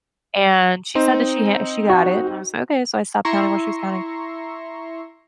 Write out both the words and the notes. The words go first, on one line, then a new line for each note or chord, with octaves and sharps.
And she said that she ha she got it, and I was like, "Okay." So I stopped counting while she was counting.
C4 D#4 C5
F#4
E4 E5 A#5 C6 C#6